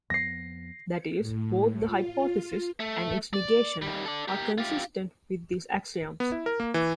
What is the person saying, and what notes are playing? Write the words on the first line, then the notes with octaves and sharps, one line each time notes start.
That is, both the hypothesis and its negation are consistent with these axioms.
F2 F3 B3 A#6 C7
A2
F4
A3
D5
D#3 G3
A4 D5
G4 A#4
F4 G4
B3
E4
A#4
A#3
E3